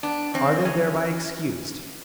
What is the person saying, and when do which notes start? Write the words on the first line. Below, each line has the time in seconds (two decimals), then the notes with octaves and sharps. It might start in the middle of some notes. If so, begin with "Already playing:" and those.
Are they thereby excused?
0.03 B3 D4
0.34 E2 C4
0.64 G#3 C#4